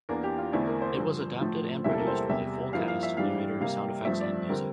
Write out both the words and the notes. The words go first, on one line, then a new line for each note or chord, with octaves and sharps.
It was adapted and produced with a full cast, narrator, sound effects and music.
E2 E3 A#3 D4 A#4
G4
F4
E2 D3 A3 C4 E4 D5
A#4
C5
G2 D3 F3
A2 F3 A3
E2 C3 G3 A#3 E4 E5
A4
A#4
C5
E2 C3 G3 E5
G2 F3 A#3 E4 F5
F5
E5
G2 E3 G3 D4 F5
C3 G3 A#3 F5
G2 F3 A3 C4 E5
D5
D3 G3 C4 A#4